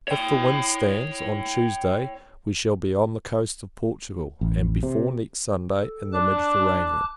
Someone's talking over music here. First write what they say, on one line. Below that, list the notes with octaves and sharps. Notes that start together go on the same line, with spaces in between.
If the wind stands, on Tuesday we shall be on the coast of Portugal; and, before next Sunday, in the Mediterranean.
C#5 G5
A1
C3
A4
D4 A5 D6 F#6